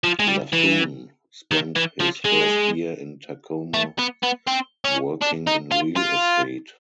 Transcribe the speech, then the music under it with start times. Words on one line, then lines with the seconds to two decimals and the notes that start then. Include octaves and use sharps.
Laffoon spent his first year in Tacoma working in real estate.
0.04 F3
0.19 G#3
0.28 G3
0.53 E3
1.51 D#3
1.76 E3
2.01 F3
2.25 G#3
3.74 A3
3.99 B3
4.23 B3
4.47 C4
4.85 C#4
5.21 D4
5.47 D#4
5.72 F4
5.96 F4